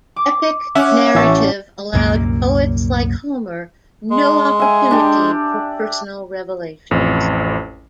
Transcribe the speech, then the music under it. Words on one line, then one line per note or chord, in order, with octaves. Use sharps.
Epic narrative allowed poets like Homer no opportunity for personal revelations.
D6
C#4 E5 F#5 D6
A1 E3 E5 A5 C#6
C2 F#2 A#2 A#3
G#3
E5 G#5
D4 G4
A1 F2